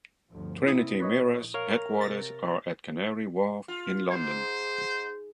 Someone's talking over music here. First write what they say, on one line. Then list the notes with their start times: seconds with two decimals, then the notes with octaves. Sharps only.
Trinity Mirror's headquarters are at Canary Wharf in London.
0.30 G1 D2 F3
0.66 C3 A#3 C4 E4 D#6
1.00 A#1 B4 C#5 D#5
1.54 A#4 C#5 F5
2.00 C3 A6 A#6
3.68 F4
4.11 G#2 C5